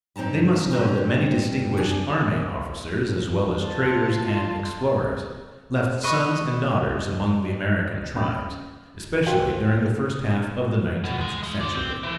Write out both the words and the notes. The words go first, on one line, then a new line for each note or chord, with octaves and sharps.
They must know that many distinguished army officers as well as traders and explorers left sons and daughters among the American tribes, especially during the first half of the nineteenth century.
G2 C4 D#4 A5 A#5
G2 E3 G3 C4 C5 A#5
D4 G#4 G#5
F4 A5
B4 D#5 C#6
C#4 B5 D#6
F#4 A#4 C5 F5 G5 G#5
B2
C2 G#3
C#3 G#3
F#4 D5
C4
E3